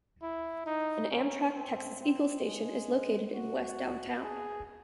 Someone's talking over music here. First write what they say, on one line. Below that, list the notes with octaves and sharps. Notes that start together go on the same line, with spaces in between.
An Amtrak "Texas Eagle" station is located in west downtown.
E4
D#4
C#4
C4
C4
G#3
F#4
G#4